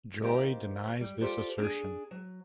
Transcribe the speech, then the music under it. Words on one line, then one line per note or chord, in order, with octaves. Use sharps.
Joy denies this assertion.
D#3 A#3 G4 C5
G3
F4 G4 A4 C5 D5
D4 G#4
F#3